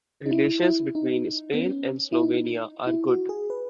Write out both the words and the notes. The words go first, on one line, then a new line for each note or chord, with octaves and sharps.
Relations between Spain and Slovenia are good.
D#4
E4
E4
D#4
B3
C#4
E4
D#4
E4
F#4
G#4
B4